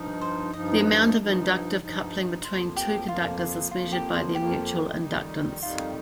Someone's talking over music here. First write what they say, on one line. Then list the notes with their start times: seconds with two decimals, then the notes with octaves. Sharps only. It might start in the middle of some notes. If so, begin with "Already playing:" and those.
The amount of inductive coupling between two conductors is measured by their mutual inductance.
Already playing: G2 F3 D#4
0.21 C5
0.53 G2 F3 D#4 D#5
1.17 G2 F3 D#4
1.81 G2 F3 D#4
2.44 F2 F3 A#3 C5
2.76 G4
3.07 F2 F3 A#3 F4
3.39 F4
3.71 F2 F3 A#3 F4
3.92 G4
4.14 C5
4.35 F2 F3 A#3 G4
4.98 F2 D#3 G3 D#4
5.62 F2 D#3 G3 D#4 F4